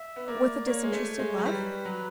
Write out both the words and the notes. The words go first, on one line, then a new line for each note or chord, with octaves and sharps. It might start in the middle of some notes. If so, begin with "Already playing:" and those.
"With a disinterested love?"
Already playing: E5
B3
A#3 D5
A#3 C#5
G#3
A3
G#3
F#3
G3 B4
F#3